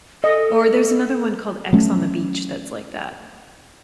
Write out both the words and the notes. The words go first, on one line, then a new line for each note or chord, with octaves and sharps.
Or there's another one called X on the Beach that's like that.
A4 D#5
F#3 A3 C#4